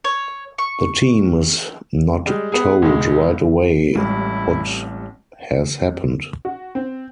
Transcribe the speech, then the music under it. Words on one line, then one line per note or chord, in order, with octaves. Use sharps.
The team is not told right away what has happened.
C#5
C#6
G3 G#3
B3 G#4
B1 G#3
A1 G3 G#3 C4 E4
F#4
C4